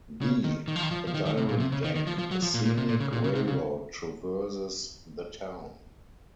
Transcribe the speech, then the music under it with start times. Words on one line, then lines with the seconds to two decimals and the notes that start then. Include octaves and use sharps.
The Adirondack Scenic Railroad traverses the town.
0.22 C#3
0.44 D#3
0.68 D#3
0.76 F3
0.83 D#3
0.91 F3
1.07 F3
1.14 D#3
1.26 D#3
1.37 C3
1.49 A#2
1.60 C3
1.72 C#3
1.84 D#3
1.96 D#3
2.07 F3
2.18 F3
2.31 F#3
2.42 F3
2.54 A#2
2.65 A#2
2.78 C3
2.89 A#2
3.00 C#3
3.13 A#2
3.24 C#3
3.35 C3
3.48 C#3